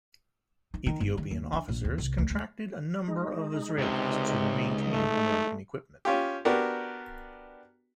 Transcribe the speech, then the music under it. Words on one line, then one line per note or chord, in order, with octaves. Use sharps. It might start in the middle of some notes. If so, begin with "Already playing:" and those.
Ethiopian officers contracted a number of Israelis to maintain American equipment.
D#4
D#3
G1
D#3
D#2
D4
A#1
D#2
C2
D2
D2
G#3 D#4
C#2 C3
A3
C#4 F4 G4
B3 D4 F#4 G4 A#4